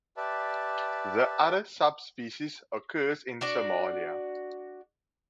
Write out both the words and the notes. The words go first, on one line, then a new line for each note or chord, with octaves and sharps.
The other subspecies occurs in Somalia.
G4 B4 D5 E5 A5
D4 F#4 D5